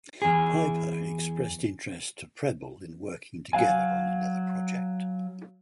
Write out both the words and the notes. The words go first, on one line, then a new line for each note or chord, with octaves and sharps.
Piper expressed interest to Prebble in working together on another project.
E2 G#4
F#3 F5 G#5